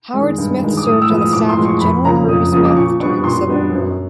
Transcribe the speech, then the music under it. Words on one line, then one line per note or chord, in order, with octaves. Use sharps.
Howard Smith served on the staff of General Kirby Smith during the Civil War.
D#3 G#3
G2
D#3 G#3
D6
A2 D#6
E6
F3 G#3 B3
D#6
A2 D6
C6
F3 G#3 B3
C#6
F2 B5
C#3 F3 A#3 A#5
F2 D#6
C#3 F3 A#3 D#6
D6
A#2 C#6
G3 B3 D4 C#6
A#2 C6
G3 B3 D4
F#2